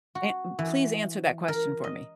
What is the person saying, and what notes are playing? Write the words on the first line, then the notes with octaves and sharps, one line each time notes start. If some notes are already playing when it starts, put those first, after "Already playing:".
An m please answer that question for me.
F#4
E3
A#4
D#5